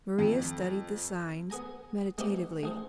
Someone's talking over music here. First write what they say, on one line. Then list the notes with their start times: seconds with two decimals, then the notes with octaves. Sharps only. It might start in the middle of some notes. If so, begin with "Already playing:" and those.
Maria studied the signs meditatively.
0.19 F2
1.50 B3 G#4 G#5 A#5
2.18 G#3 B3 C4 D#4 F4 G4
2.63 A1 G#4 C5